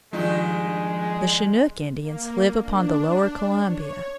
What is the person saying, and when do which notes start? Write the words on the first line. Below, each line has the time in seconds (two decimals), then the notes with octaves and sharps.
The Chinook Indians live upon the lower Columbia.
0.13 G2 D#3 F3 G#3 D#4
2.01 A#3
2.59 D4
3.61 C#5